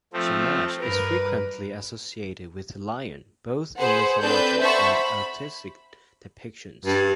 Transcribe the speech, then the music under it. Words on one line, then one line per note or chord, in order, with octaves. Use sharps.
Shamash is frequently associated with the lion, both in mythology and artistic depictions.
F3 A3 C4
G2 A#4 B4
G#4 B4 C5 F#5
C4 D4 A4 B4 G6
C5 E5 F#5 A5 B5 C#6
B5
G2